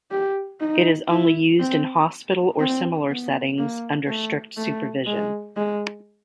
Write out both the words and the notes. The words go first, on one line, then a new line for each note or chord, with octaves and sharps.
It is only used in hospital or similar settings, under strict supervision.
G4
D#4
E4
C4
C4
B3
A#3
A3
A3
G#3
G#3